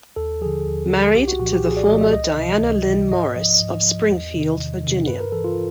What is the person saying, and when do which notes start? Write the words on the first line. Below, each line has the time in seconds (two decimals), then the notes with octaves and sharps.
Married to the former Diana Lynn Morris of Springfield, Virginia.
0.16 D#2 A4
0.41 D3 F3 G#4
0.66 D#2
0.90 D3 F3
1.15 C2 G4
1.28 F#4
1.39 A#2 F3 F#4
1.52 G4
1.64 C2 G#4
1.77 D5
1.89 A#2 F3 D#5
2.01 E5
2.13 C#2 D#5
2.37 C3 E3
2.62 C#2
2.87 C3 E3
3.11 G#2 D#5
3.36 F3
3.61 G#2
3.85 F3
4.10 E2
4.34 C3 D#3
4.58 E2
4.83 C3 D#3
5.07 G2 B4
5.20 A#4
5.32 E3 A4
5.44 F4